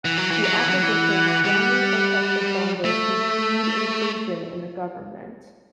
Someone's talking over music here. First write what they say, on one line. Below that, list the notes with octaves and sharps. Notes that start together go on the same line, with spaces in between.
The opposition strongly protested Bongo's continued inclusion in the government.
E3 F#5
F#3
E3
F#3
E3
F#3
E3
G3
A3 E5